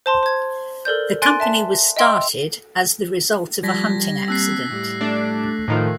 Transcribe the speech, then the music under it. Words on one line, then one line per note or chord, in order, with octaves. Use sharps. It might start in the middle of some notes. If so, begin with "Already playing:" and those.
The company was started as the result of a hunting accident.
C5 A5 C6
C5 G#6
A4 A#4 D5 G6
G#5 C6 F#6 A6 D7
E5 A5 B6
D#5 E5 G5 C6 E6
F3 G3 G#6 A#6 B6
A#3 C4 D4 E6 F#6 C7
A2 G3
A3 D4
A2 D#3 F3